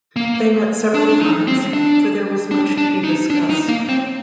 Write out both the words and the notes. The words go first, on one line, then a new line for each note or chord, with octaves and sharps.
They met several times, for there was much to be discussed.
A#3
D4
D4
D#4
C4
D4
D4
D4
D#4
D4
D#4
A#3
C4